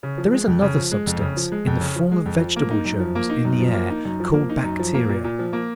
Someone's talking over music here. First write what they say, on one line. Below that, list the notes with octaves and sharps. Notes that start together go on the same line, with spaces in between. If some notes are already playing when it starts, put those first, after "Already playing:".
There is another substance in the form of vegetable germs in the air called bacteria.
C#3
F3
G#3
F2
C#3
F3
G#3
F2
C#3
F3
G#3
F2
C#3
F3
G#3
F2
F3
A#3
D#4
F#2
F3
A#3
D#4
F#2
F3
A#3
D#4
F#2
F3
A#3
D#4
F#2
F3
A#3
A#2
A#2
F3
A#3